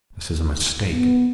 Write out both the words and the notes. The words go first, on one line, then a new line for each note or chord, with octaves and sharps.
This is a mistake.
B3